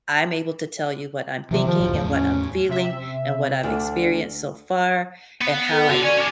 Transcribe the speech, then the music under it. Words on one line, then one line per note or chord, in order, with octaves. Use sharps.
I'm able to tell you what I'm thinking and what I'm feeling and what I've experienced so far and how I f
C3 E3 F3
D#3 F3
D1 B1 A2
E2 A2 A3
C#4
C3 E5
D2 D4
B3
A4
D3 F#4
C#5 D5 G#5
C#4 D4